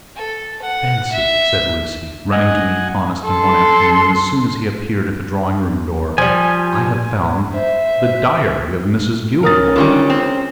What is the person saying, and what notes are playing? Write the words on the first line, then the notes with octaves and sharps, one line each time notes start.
"Fancy," said Lucy, running to meet Conniston one afternoon as soon as he appeared at the drawing-room door, "I have found the diary of Mrs. Gilroy."
A4
F#5
E5
D#5 F#5 G#5
A4 C6
F3 G3 G#5
C5 E5
C#4 A#4 D#6 A6
C#2 D3 D#3 G3
C4